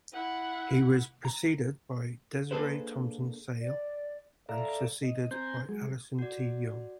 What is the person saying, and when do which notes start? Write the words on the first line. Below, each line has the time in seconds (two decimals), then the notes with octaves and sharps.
He was preceded by Desiree Thompson Sayle and succeeded by Alison T. Young.
0.13 E4 F#5
1.25 A#5
2.51 A#3 D4 G#4 A4 B4 C5
3.61 D5
4.49 A4 D5 E5 F5 A#5
5.03 D#5
5.31 C4 C5 G#5 A#5 C6 G6
5.69 F#3 G#3 G#4
6.19 F#4 D5